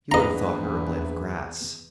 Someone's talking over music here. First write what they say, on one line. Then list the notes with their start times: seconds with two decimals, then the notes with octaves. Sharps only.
You would have thought her a blade of grass.
0.12 A#1 E2 E4 G#4 B4 D#5 A#5